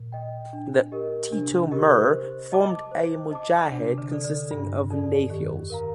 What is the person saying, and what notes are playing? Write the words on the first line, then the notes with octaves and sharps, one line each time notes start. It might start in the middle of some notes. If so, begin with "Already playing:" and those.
Titu Mir formed a "Mujahid" consisting of "lathials".
Already playing: A#2
D#5 G5
D4
G4 A#4 D#5
C3 D4
G4 A#4 D#5
C5
D#5 A5 D6
C5
D#5 A5 D6
C3 D4
D3
A4 D5
D3
G2 D4
F2 A4 D5
D#3 G4
A#4 F5 A#5